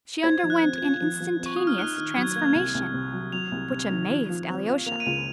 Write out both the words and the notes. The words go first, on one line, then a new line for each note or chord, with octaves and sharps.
She underwent an instantaneous transformation, which amazed Alyosha.
C5 G#6
F3
F#6
C4
G#6
F4
F3
F3
C4
C#6
F4 D#6
F6
D#4 F#6
D#3 F6
F#3 G#6
A#3 G#6
C2
C2
C3
F#3
F#3 F7
C2
C3
D#3
F3
F3
C4
F4
A#3 F7
D#7
C#2 F7